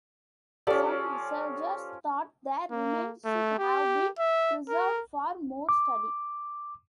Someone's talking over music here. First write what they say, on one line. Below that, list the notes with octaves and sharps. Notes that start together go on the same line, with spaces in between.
Some researchers thought the remains should have been preserved for more study.
F3 C#4 G4 A4 D5
A#3
A3
G4
E5
A#4
D6